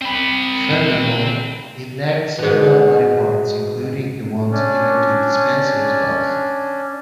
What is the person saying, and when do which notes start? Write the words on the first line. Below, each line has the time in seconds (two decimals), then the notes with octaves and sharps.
Furthermore, it lacked several body parts, including the ones given to Despenser's wife.
0.02 C4 B5
2.38 G#2 B2
4.51 C#4 D4